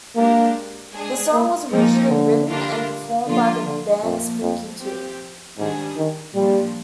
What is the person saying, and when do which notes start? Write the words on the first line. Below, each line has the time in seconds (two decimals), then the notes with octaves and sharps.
The song was originally written and performed by the band Spooky Tooth.
0.16 G#3 A#3 D4 G4 A#4
0.93 G#3 D4 G#4
1.32 A#3
1.70 F3 G#3 A#3 D#4
2.09 D3
2.48 D3 G3 D4 F4 A#4
3.25 D3 F3 A#3 D4 F4
3.64 D3
4.03 F2 A#2 F3 A#3
4.42 F2
4.81 F3 C4 G4
5.58 G#2 D#3 G3 D4 G#4
5.97 D#3
6.35 A#2 F3 G3 A#3 D4 F4